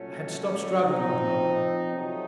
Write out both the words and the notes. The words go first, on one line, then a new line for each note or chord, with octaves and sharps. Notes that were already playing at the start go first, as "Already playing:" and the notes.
I had stopped struggling with Moa.
Already playing: A#2 F#3 A3 C#4
F3 C4 D#4
C3 F#3 A3 D#4